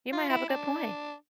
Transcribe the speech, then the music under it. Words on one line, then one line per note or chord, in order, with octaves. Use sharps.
You might have a good point.
F4
E4
D4